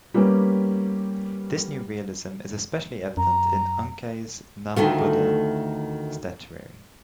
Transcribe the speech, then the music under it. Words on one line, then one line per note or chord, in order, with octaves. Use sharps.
This new realism is especially evident in Unkei's non-Buddha statuary.
G3 A#3 B3 C#4 G4
F#2 A#5
D2 D#3 A3 F4